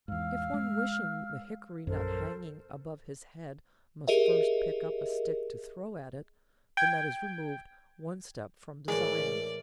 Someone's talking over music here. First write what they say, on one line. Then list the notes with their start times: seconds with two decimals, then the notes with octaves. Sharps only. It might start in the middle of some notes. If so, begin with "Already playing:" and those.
If one wishing the hickory-nut hanging above his head must first pick up a stick to throw at it, the nut is removed one step from desire.
0.08 E2 G#2 F5 E6 F6
0.54 G#3
1.87 A#1 F#2 A4 A#4 C5
4.08 G4 G#4 A#4 D#5 E5
6.77 G5 G#6
8.88 A2 E3 G#3 A#4 D5